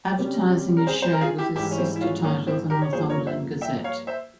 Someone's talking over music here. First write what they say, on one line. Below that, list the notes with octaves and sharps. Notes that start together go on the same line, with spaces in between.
Advertising is shared with its sister title the "Northumberland Gazette".
C3 G3 C#4 G4
A#4
G#4 C5
C5
A#4
F4 G#4
E4 G4
G#2 E3 G3 E4 G4
C#4
C4 E4
E4
C#4 F4
A#3 C#4
C4 E4
G4 A#4
C#5
G2 F3 A#3 G#4 C5
A#4 C#5
C5 E5
E5 G5
C#5 F5
C5 E5